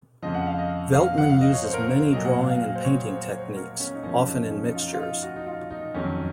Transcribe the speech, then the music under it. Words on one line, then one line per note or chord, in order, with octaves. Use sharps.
Veltman uses many drawing and painting techniques, often in mixtures.
F2 C#3 F3 D#5
F#5
F5
D#5
F5
F#5
F5
D#5
C#5
C5
A#4
C5
A#2 F#3 D#5
F#5
F5
F5
F5
C5
C#5
C5
C5
A#4
C#4
D#4
F#2 F3 C#4
D#4
D#4
C#4
D#4
F4
D#4
F4
D#4
F#4
D#4
F4
D#4
F2 D#3 F#3 C#4